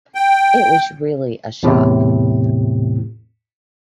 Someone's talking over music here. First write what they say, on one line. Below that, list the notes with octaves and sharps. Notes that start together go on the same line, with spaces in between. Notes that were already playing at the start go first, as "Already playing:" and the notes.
It was really a shock.
G5
E2 A2 C3